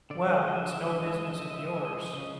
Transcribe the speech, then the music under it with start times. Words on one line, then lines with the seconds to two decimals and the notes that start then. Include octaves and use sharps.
Well, it's no business of yours.
0.10 D3 D5
0.22 E5
0.28 G#3 D#5
0.47 F3 D#5
0.55 E5
0.64 D3 D#5
0.73 E5
0.81 D#5
0.84 D3
0.90 E5
0.98 D#5
1.03 G#3 E5
1.15 D#5
1.22 F3 E5
1.32 D#5
1.40 D3 E5
1.50 D#5
1.58 D3 E5
1.67 D#5
1.76 G#3 E5
1.85 D#5
1.95 F3
2.13 C#3 D#5